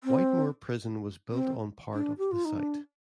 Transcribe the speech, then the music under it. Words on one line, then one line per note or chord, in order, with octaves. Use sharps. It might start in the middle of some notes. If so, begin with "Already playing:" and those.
Whitemoor prison was built on part of the site.
C4
C4
D4
G4
F4
D#4
D4